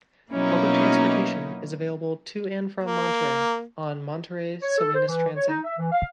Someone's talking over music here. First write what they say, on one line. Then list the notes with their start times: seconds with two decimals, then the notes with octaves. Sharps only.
Public transportation is available to and from Monterey on Monterey–Salinas Transit.
0.31 B2 F#3 A#3 C#4 D#4 E4
2.83 A#3
4.62 C#5
4.78 A4
4.94 C5
5.07 E3
5.36 C#5
5.49 D#4
5.64 E5
5.78 E3
5.91 F5